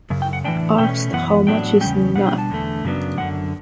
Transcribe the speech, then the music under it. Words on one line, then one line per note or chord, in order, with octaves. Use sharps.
Asked how much is enough?
F#2 C#3
G5
F#5
A2 E3 B3 D4 G5
B2 A3 C#4 G5
F#2 E3 B3 F#5
A2 F#3 B3 D4 G5
E2 C#3 E3 G3 C#4 G5
B2 G3 D4 F#5
G5
A5
E2 D3 A3
F#2 C#3 F#3 B3 D4
F#2 D3 G3 F#5